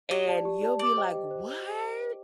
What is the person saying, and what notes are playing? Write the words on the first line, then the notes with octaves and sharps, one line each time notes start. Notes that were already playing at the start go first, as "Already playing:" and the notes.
And you'll be like, "What?"
G4 D#5
D5 A5
G4
D5 A5
G4 D5
C5 D#5 G5 D6
G4
C5